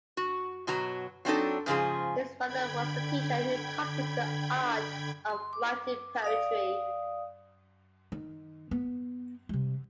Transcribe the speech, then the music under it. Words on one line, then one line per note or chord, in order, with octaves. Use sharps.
His father was the teacher who taught him the art of writing poetry.
F#4
B2 F#3 F#4 A#5
F#3 C4 D4 D#4 A4
G#2 C#3 F3 G#4
D3 G5 B5 G#6
C6
D6
D5 F5 D#6
D#3
B3
C3 G3